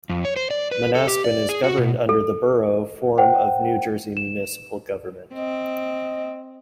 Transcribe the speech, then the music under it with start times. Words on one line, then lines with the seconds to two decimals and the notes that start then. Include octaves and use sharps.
Manasquan is governed under the Borough form of New Jersey municipal government.
0.10 F2
0.25 C#5
0.36 C5
0.51 D5
0.71 B4
0.95 A4
1.07 G4
1.25 D5
1.49 G#4
1.64 F#4
1.78 B2
2.09 A4
3.18 C5 F#5 G5
4.17 E7
5.34 C4 D#5